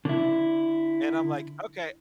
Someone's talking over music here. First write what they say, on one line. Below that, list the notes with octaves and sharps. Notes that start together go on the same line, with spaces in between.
and I'm like, "Okay,
D3 E4